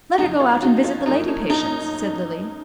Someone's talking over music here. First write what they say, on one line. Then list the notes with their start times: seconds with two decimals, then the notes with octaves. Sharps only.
"Let her go out and visit the lady patients," said Lily.
0.18 F2 C#3 F#3 D#4
0.40 C#4 F4
0.62 D#4 F#4
0.84 C#4 F4
1.06 F#2 F3 A#3 D#4
1.28 C#4
1.50 D#4